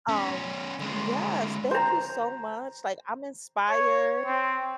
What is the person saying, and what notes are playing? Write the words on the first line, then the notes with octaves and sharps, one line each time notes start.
um, yes, thank you so much, like I'm inspired.
B3 C#4
D3 G#3
C5 A#5
C#5
C4